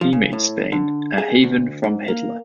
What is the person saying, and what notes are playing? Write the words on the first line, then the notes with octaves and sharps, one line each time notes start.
He made Spain "a haven from Hitler".
F3
C#3
A2
D3
G#4
D2
G#2
A#3